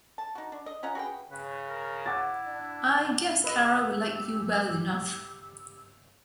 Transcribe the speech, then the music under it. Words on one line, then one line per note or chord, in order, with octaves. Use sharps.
I guess Cara‘ll like you well enough.
A5
D#4 F#4
D4
D#5
C#4 F4 F#5 A#5
F#4 G#4 B4 G5
C#3 B4
A#4
E4 F#5 D6 A6
D4
G4 B4 D#5 E6